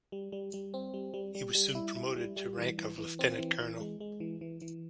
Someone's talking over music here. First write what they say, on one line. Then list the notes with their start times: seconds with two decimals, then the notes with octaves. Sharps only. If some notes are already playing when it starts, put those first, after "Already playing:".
He was soon promoted to rank of Lieutenant Colonel.
0.12 G3
0.32 G3
0.54 G3
0.74 C4
0.94 G3
1.14 G3
1.35 G3
1.55 G3
1.75 E4
1.96 E4
2.16 G3
2.36 G3
2.57 E3
2.78 E3
2.98 E3
3.19 C4
3.38 E3
3.60 E3
3.80 G#3
4.00 G#3
4.20 E3
4.41 E3
4.62 E3